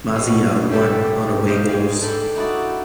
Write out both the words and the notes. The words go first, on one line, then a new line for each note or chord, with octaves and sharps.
Maziya won on away goals.
B2 C#4
G3 D4 G4 A4 E5 G5
C5 D#5 F5 G5
G#2
D4 A4 G5 B5
D#4 E4 F#4 D5